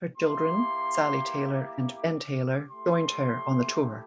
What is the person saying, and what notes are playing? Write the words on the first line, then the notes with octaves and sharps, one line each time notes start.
Her children, Sally Taylor and Ben Taylor, joined her on the tour.
A#3 E4 G4 C6
D6
A3 E4 G4 C6